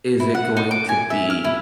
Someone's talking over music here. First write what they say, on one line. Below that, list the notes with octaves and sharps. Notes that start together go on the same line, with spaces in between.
is it going to be
E4
F#5
D#4
D6
G#5
E5
F6
E4